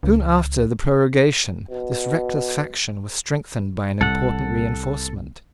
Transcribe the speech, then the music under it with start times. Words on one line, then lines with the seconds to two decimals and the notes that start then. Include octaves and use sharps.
Soon after the prorogation this reckless faction was strengthened by an important reinforcement.
0.03 C#2
1.70 B2
4.01 C2 A4 F#5